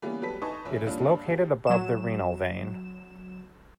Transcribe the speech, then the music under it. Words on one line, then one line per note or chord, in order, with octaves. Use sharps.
It is located above the renal vein.
E3 G3 A#3 B3 C#4
F#3 G3 G4 A4 B4 B6
D#4 B4 D#5 G#5 A5 C#6
G1 E3 C#4 E4
G2 F3 A#3 C#4 D4
F3 G4
F#3 E7